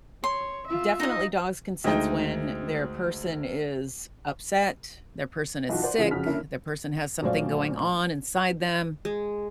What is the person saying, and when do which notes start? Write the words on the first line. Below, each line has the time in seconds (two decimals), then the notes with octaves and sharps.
definitely dogs can sense when their person is upset, their person is sick, their person has something going on inside them,
0.24 C#5 C6
0.68 F4 E5
1.00 D#4 D#5
1.84 D2 G#3 D#4 D#5 G5
5.69 B1 E3 F4 F#4 A5
5.82 C5 D5 F#5
5.98 C#3 E3 G#3 F4
6.11 F2 C#3 C#4 F#4 F6 B6
6.26 D3 A#3 C#4 E4
7.23 A#1 F#3 A3 C5 D5 F5
9.05 G#3